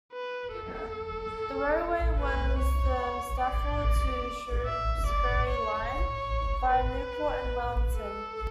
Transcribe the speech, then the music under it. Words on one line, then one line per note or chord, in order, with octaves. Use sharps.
The railway was the Stafford to Shrewsbury Line, via Newport and Wellington.
B4
A4
B4
C#5
D5
E5
D5
C#5
C#5
B4
A4